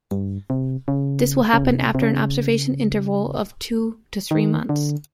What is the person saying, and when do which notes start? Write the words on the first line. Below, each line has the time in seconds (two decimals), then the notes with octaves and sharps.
This will happen after an observation interval of two to three months.
0.11 G2
0.50 C3
0.88 C#3
1.53 C#3
1.64 C3
1.95 C3
2.02 C#3
4.31 D#3
4.69 D3